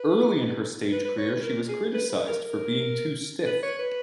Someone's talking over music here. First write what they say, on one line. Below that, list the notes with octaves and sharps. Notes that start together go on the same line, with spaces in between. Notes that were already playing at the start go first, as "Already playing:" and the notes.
Early in her stage career, she was criticised for being too stiff.
Already playing: B4
B4
B4
C#5
B4
A#4
G#4
B4
B4
A#4
A#4
B4
C#5
B4